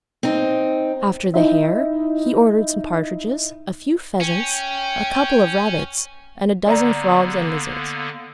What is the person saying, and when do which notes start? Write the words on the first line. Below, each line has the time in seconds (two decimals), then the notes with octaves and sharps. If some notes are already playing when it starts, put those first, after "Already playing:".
After the hare, he ordered some partridges, a few pheasants, a couple of rabbits, and a dozen frogs and lizards.
0.23 C4 D#4
1.34 D#4 E4 E5
4.21 C#4 G5
6.66 D3 A#3 B3 D5 A#5